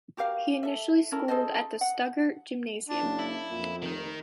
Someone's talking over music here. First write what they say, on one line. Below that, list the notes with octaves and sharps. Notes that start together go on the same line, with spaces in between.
He initially schooled at the Stuttgart Gymnasium.
F#4 G4 A#4 F5
A4 E5
C#4 E4 A4 A#4
G#4 A4 C5 D#5
F#5
D4
F#1
E4
F2 A#2
F1 D#3 D#4